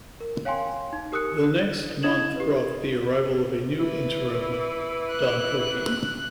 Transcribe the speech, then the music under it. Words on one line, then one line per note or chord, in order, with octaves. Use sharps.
The next month, brought the arrival of a new Interim, Don Purkey.
A#4
C#5 F5 G5 G#5 C6
D#4
G4 A#4 D#6 E6 F#6 C#7
E4 D#5 D#6 G#6 E7 F#7
G4 B4
E3
F#6